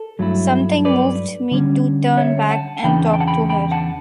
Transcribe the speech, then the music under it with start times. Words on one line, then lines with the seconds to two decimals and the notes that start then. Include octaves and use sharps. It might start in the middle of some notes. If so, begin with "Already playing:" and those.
Something moved me to turn back and talk to her.
Already playing: A4
0.19 G2 F#3 A3 E4
0.85 B4 D5
1.51 D3 G3 C#4
2.17 C#5 E5
2.51 F#5 A5
2.83 E2 C#3 E3 B3 D4 G5 B5
3.06 A5
3.13 G5
3.21 F#5 A5
3.27 G5 B5
3.49 G5 B5
3.71 F#5 A5